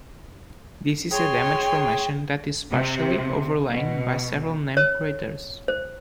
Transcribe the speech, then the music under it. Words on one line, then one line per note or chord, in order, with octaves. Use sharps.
This is a damaged formation that is partly overlain by several named craters.
G#4 C#5 G5 C6
C3
B2
C#5
C5